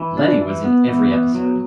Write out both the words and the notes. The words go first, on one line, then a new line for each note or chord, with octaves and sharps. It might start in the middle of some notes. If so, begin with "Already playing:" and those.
Lennie was in every episode.
Already playing: E3
D4
E3
B3
E3
B3
F#3